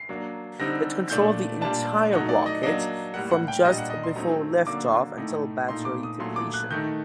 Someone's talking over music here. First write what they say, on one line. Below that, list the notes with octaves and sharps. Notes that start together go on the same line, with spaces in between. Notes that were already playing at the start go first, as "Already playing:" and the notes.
It controlled the entire rocket from just before liftoff until battery depletion.
Already playing: C7
F#3 A#3 D4
D3 G3 C4 D#4 A#6
A#2 A3 D4 G6
A#2 G3 D4 A5
F#3 A3 D#4 F#5
D5
D#5
F#3 A#3 D4 D#5
A2 G3 A#3 F#5
F#5
G5
A#2 G3 A#3 D4 D#5
F#5
D#5
C6
F#3 A3 C4 D#4 A#5
D3 F#3 A#3 D4 D6
A2 A3 D#4
A#2 A3 D#4 C6
D6
D#6
A#2 F#3 A3 C6
D6
F#6
D#3 A3 D#4 G6